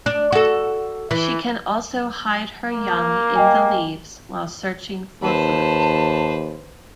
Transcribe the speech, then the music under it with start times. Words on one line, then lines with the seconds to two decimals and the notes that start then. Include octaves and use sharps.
She can also hide her young in the leaves while searching for food.
0.06 D4
0.32 F#4 A4
1.11 E3
2.72 A#3
3.35 D#5 G5 G#5
5.23 D#2 B4 C5 A5